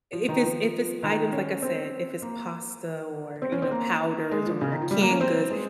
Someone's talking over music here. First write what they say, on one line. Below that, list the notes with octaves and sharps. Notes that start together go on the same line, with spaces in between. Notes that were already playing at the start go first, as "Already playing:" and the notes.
if it's if it's items like, I said, if it's pasta or, you know, powders, or canned goods,
F3
D#3
F3
D#3
C#4
C4
A#3
C4
C#4
C4
A#3
G#3
F3
C#3
D#3
F3
G3
A#3
C#4
C4
G#3